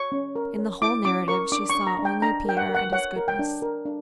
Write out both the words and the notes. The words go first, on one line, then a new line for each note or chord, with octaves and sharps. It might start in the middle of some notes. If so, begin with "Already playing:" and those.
In the whole narrative she saw only Pierre and his goodness.
Already playing: C#5 C#6
C#4
A#4
C#5
E4 D6
C#4 D6
A#4 C#6
D4 D6
C#6
D4
A#5
D4
G5
D4 A#5
A#4 G5
F#5
A#4
F#5
C#5 F#5
A#4
G5
D4
A#4
D4